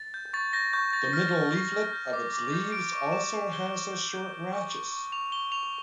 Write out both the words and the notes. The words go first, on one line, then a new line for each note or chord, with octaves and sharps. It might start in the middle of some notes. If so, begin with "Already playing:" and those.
The middle leaflet of its leaves also has a short rachis.
Already playing: A6
G6
C#6 A6
G6 A#6
C#6 G6
G6 A6
F6 A#6
F6
C#6
F6
G6
D6
D6
G6
F6 D7
C#6
C#6 E7
C#6
G6 G7
C#6
G6
G6
G6
C#6
C#6
C#6
C#6 F7
C#6 G7
C#6 F7